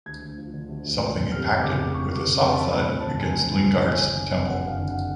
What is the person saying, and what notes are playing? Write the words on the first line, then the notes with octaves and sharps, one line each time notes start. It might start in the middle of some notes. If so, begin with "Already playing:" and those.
Something impacted with a soft thud against Lingard's temple.
D2 G#6
D2
F3
D3
D2
D2
F3
D3
F1 F6
F1
C#3 D6
F2
F1 C#6
F1 D6
C#3
C#6
F2
A5
D2 B5
D2 B5
F3
A5
C#3
D2 G#5
D2
F3
C#3
F#1 G#5
F#1
D3
F2
F#1 F#5
F#1
F5
D3
F#5